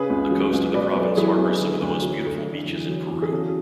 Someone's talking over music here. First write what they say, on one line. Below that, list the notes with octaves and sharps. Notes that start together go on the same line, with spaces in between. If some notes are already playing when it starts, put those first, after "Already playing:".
The coast of the province harbors some of the most beautiful beaches in Peru.
Already playing: C#3 G#4 B4
C#2
F#3
C#2
B2 B4 D5
B1
F#3 E4 G#4
B1
D3
D2
F#3
D2
D3
E2
F#3
E2
G#4
C#3 F#4 A4